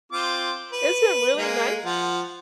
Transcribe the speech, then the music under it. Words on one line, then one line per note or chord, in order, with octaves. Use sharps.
It's been really nice
C4 F4 D6
B4
G#3 A#3
F3 F#5